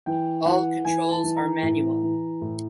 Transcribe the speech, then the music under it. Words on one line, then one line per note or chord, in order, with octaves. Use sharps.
All controls are manual.
E3 G5
E3 F#5
E3 G#5
A5
E3
A#5
A2
E3
A2